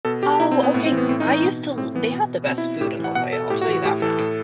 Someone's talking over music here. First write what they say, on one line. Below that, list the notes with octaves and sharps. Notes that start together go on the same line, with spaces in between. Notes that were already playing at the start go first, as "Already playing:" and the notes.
Oh, okay. I used to l they had the best food in La Jolla, I'll tell you that much.
B2 A4
G4
B2 E4
C4
B3
A2 B3
C4
E3
B3
A2 C4
D#4
E3
D#4
B2
A2 C4
E3 B3
B2
B2 C4
E4
A2 G4
E3
F#5
B2 F#5
A4
A2 G4
F#4
E3
F#4
A2 G4
E3 A4
A2